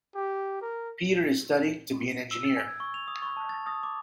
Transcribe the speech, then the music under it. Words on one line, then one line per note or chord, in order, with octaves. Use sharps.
Peter is studying to be an engineer.
G4
A#4
E6
A6
G#5
G#6
C#6
F7
D#6
C#6
A5
A6
D#6
D6